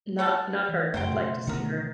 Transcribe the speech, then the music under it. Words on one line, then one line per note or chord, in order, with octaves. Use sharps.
not not her, I'd like to see her.
C#5 F#5 A5
E3
F#2 C#3 F#3 A3 C5 G5
B2
D3 A3 B3 A#4 F#5